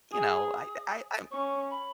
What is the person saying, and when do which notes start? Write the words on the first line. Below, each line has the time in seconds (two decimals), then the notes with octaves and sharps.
you know, I I I'm
0.12 G#4 D#6
1.32 C#4 C#6
1.71 B5